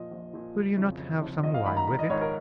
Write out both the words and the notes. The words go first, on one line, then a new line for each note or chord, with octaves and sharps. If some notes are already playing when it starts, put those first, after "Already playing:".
"Will you not have some wine with it?"
Already playing: A#2 F3 D#5
A#1
A#2 F3
F#1
F2 C#3
F#1
F2 C#3
A#1 D#5
F5
G#2 D#3 B5
A#5
A#1 A#5
D#5
G#2 D#3 C#5
A#4